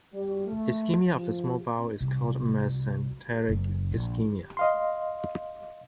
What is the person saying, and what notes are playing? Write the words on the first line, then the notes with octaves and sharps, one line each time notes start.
Ischemia of the small bowel is called mesenteric ischemia.
G3
A3
F3
C2
F#1
A#1
D#5 F5 C6